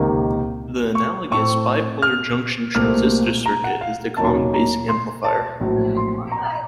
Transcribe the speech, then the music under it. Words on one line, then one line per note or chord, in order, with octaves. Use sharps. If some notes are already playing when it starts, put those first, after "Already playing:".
The analogous bipolar junction transistor circuit is the common-base amplifier.
Already playing: C#2 C3 D#3 A#3
C#6
A2 A3 C4 C#6
F6
C2 A#2 A3 C4 F6
A#5
F#5
F5
D#2 D#3 F#3 A#3 C#4 A5
A#5
C6
A5
A#1 A2 F#3 C4
C6
A#5